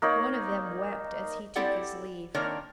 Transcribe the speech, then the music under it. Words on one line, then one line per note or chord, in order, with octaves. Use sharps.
One of them wept as he took his leave.
A#3 D#4 C#5 D5
C4 E4 G4 A4 D5 F#5
D#3 A#3 C4 D4 A#4 C#5